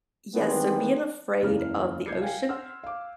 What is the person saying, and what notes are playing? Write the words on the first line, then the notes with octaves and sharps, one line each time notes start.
Yes, so being afraid of the ocean,
D#3 E3 G3 G#3 B3 C4
F#1 E2 C#3 E3 F6
C2 G6 G#6 C7 C#7
F5 G5 G#5
F#5 C6 E6 F6
F5 D6